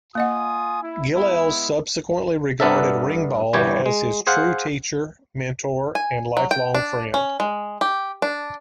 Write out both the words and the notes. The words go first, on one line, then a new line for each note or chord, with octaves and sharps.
Gilels subsequently regarded Reingbald as his true teacher, mentor and lifelong friend.
A#3 F4 D#5 F#5 G#5 D#6
E4
G#3 B3 E4
G2 B3 D4 A4 A#4 E5
G1 C2 E3 G3 G4 C#5
G#3
G#4 C5 F5 F#5
G#5
F#3
G5
D4
C#4
G#3
G4
D4